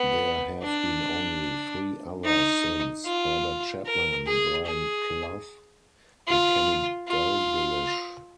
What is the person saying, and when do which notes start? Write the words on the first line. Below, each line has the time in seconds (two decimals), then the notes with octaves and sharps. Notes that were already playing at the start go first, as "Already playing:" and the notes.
There have been only three others since; Herbert Chapman, Brian Clough and Kenny Dalglish.
Already playing: B3
0.64 D4
2.25 D#4
3.05 F4
3.86 A#4
4.26 G#4
4.66 G#4
6.28 F4
7.08 F4